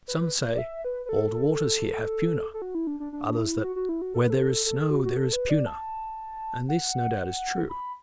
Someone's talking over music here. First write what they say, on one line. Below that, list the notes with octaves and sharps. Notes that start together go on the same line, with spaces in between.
Some say "all the waters here have puna;" others that "where there is snow there is puna;"--and this no doubt is true.
B4
D5
E5
B4
B4
A4
A4
F#4
E4
D4
D4
D4
E4
F#4
F#4
E4
F#4
A4
B4
A4
A4
F#4
F#4
A4
B4
D5
A5
F#5
B5